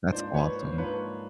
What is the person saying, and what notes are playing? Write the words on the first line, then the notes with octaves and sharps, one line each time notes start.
That's awesome.
G#2 F3 A#3 D4 C5 D5
B4 C#5
C5
C5
G#2 F3 A#3 D4 B4 C#5